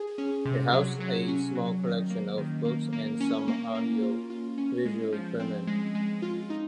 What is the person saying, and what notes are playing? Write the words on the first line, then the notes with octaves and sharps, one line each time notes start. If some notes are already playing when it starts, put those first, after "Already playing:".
It housed a small collection of books and some audio-visual equipment.
Already playing: G#4
C#4
C3
F#3
F#3
C#4
F#3
D#3
A#3
D#3
A#3
A#3
C#4
A#3
A#3
F4
F4
C#4
G#3
F3
C4
G#3
G#3
F4
D#4